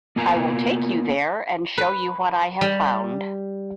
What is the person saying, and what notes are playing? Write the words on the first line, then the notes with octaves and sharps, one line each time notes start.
I will take you there and show you what I have found.
A#3 B3 F4 A#4 G#5 A#5
B4
G3